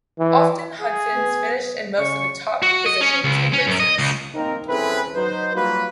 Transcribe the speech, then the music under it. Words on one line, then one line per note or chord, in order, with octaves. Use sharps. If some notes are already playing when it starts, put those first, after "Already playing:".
Often Hudsons finished in most of the top positions in races.
E3
G#4
B3
C#3 C#6
F#4
D#5
C#4
C#2
C#4
F#2
D#5
C#2
A#3 C4 D#4 A#4
C4 C#4 E4 G#4 A4 B4
F#3 D#4 B4 C5
F#3 G3 A#3 F4 F#4 B4